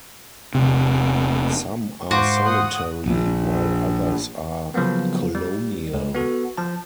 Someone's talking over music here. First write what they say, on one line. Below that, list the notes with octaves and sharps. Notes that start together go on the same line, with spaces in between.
Some are solitary while others are colonial.
E1 C3
G#2 F#4 C5 F5 C6 D6
F#5 D#6
A#1 A#2
C#3 F3 F#3 A#3 B3
G3
C#2
B3 F#4 A4
F3 A5